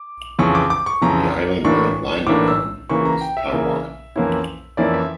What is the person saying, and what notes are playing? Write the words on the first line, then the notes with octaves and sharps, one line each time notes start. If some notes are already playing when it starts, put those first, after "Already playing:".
The island they landed on was Taiwan.
Already playing: D6
F2 C#3 E3 C#6
D6
D6
C#6
F2 C#3 E3 A#5
A2 E3 A#3 D4 C#6
A2 E3 A#3 D4 D6
E6
C#3 E3 A#3 C#6
A#5
G5
E5
C#3 E3 A#3
F2 E3 A#3 C#4 E4
F2 E3 A#3 C#4 E4 D5
E5